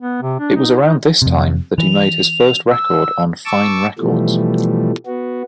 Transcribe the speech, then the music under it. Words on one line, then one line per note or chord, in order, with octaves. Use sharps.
It was around this time that he made his first record on Fine Records.
B3
C3
D4
D#4
D#4
F2 C3
E3 F7
E6
A5 C#6 D6 E6
B2 E3 F3 G3 A3
B3 F#4